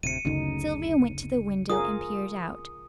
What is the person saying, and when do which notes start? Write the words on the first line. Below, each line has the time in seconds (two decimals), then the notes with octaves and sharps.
Sylvia went to the window and peered out.
0.03 D1 C3 C#7 D#7
0.25 F#1 D2 C#3 D#4
1.70 F4 G#4 A#4 D#6